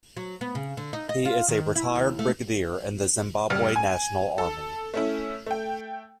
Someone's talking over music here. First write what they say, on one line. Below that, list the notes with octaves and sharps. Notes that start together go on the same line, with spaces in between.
He is a retired Brigadier in the Zimbabwe National Army.
F#3
B3
C#3
D3
D#4
D#5
F4
D#3
E4
D#2
A3
F#1 G3 F6
G#5
A4
A3 C#4 E4
A3 G5